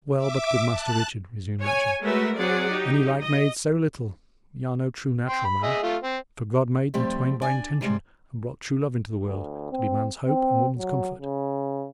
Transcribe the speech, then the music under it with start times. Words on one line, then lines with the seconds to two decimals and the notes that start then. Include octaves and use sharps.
"Well, but, good Master Richard," resumed Matcham, "an ye like maids so little, y' are no true natural man; for God made them twain by intention, and brought true love into the world, to be man's hope and woman's comfort."
0.16 E5 D6
0.71 A5 F#6
1.62 C#5 G#5
2.02 G#3 A3 F#4 A#4 B4 E5
2.36 F#3 C4 G#4 D5 F#5
2.70 D#4 G4
3.20 D#5
5.29 G5 C6
5.45 B5
5.63 G#4 D#5 E5
5.83 A3 F4
6.03 C4
6.94 F3 G3 A3 C4 G4
7.41 D4 D5 G#5
7.81 C3 G3 G#3
9.25 D2
9.72 C4
10.27 C4
10.78 F#3
11.19 C#3